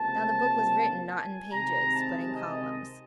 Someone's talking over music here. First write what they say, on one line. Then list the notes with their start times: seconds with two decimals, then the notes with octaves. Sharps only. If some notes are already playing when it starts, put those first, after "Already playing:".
Now the book was written, not in pages, but in columns.
Already playing: C#2 C3 F3 A#3 A5
1.10 G#5
1.52 C3 D#3 G#3 A#5
1.94 A5
2.35 D#5